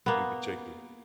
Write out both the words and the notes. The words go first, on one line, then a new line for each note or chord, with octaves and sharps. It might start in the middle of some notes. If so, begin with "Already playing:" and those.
in particular?
A#3 B3